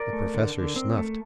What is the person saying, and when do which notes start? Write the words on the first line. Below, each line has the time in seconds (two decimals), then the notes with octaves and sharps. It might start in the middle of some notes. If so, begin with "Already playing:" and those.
The Professor snuffed.
Already playing: A#4 D5
0.13 A3
0.34 D3
0.54 D3
0.76 C4
0.98 A3